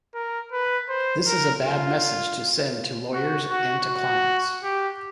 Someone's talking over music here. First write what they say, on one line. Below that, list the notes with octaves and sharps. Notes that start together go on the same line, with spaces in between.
This is a bad message to send to lawyers and to clients.
A#4
B4
C5
A#4
F4
F#4
F#4
F#4
G4